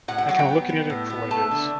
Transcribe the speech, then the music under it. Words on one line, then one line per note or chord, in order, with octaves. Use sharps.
I kinda looking at it for what it is.
A2 F#5
F#5
F#3 F#5
G5
B3
B3
A2
B3
A3 A5
D3